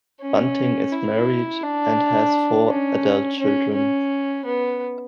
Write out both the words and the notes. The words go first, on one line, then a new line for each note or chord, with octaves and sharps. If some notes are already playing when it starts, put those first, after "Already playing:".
Bunting is married and has four adult children.
C#4
E4
D4
C#4
C#4
C#4
B3